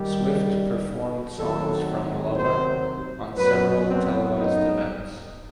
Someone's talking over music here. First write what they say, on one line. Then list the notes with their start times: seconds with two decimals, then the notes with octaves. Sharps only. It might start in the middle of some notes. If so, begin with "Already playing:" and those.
Swift performed songs from "Lover" on several televised events.
Already playing: D#2 D#3 G3 G4
1.36 D#2 D#3 F#3 C4 A4
2.36 C5
3.36 F#2 F#3 B3 B4
3.87 C4
4.37 D#4